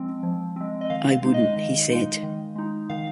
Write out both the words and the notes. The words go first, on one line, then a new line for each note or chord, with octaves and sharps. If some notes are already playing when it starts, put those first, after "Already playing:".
'I wouldn't,' he said.
Already playing: F3 G#3 C4
F3
G#3 C4
D#5
D#3 F5
F5
G#3 D#4
D#5
D#3
G#3 D#4
D#3
G#3 D#4
D#3 F5